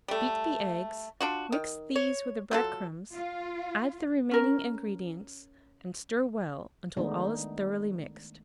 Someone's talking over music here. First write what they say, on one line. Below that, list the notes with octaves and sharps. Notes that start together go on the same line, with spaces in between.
Beat the eggs, mix these with the bread crumbs, add the remaining ingredients, and stir well until all is thoroughly mixed.
G3 A3
D4 F4 F#4
D#3
C#5
F#3 F4 A4
F4
C#4 A#4
D#3 G#3 A3 B3 D4 D#4